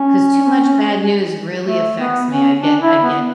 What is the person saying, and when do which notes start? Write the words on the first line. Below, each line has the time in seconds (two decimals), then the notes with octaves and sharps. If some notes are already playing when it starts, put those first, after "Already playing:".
'Cause too much bad news really affects me, I get I get,
Already playing: C#4
1.66 A3
1.97 B3
2.30 C#4
2.61 D4
2.81 E4
3.03 B3